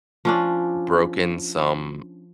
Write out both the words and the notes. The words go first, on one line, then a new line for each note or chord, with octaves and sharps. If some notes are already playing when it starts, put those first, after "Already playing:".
broken some
F3 C#4 D4